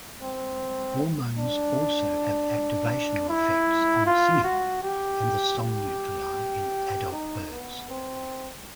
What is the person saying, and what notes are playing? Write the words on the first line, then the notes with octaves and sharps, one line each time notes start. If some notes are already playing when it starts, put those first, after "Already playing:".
Hormones also have activational effects on singing and the song nuclei in adult birds.
C4
D4
E4
F4
F#4
G4
G4
D#4
B3
C4